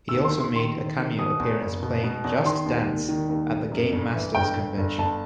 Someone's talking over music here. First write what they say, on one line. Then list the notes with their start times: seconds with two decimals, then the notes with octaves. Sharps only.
He also made a cameo appearance playing "Just Dance" at the Game Masters convention.
0.09 E6
0.13 D#2
0.24 C6
0.34 D#2
0.41 C6
0.56 D#3 C6
0.77 D#3
0.99 D#3
1.19 B2 D#6
1.40 E2
1.61 F#1
1.82 B2
2.04 B2
2.24 E2
2.45 D#3 C6
2.66 D#2
2.88 E1
3.09 D#3
3.29 D#2
3.51 E1
3.72 F#2
3.92 G1
4.14 E3
4.35 G1 G5
4.56 G1
4.77 G1
4.98 G1 A5